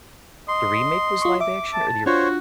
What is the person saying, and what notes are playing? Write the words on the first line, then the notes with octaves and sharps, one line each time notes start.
the remake was live action or the
D#5 C6
F4 C#6
E5 D6
A5
D4 F4 F#4 C5 C#5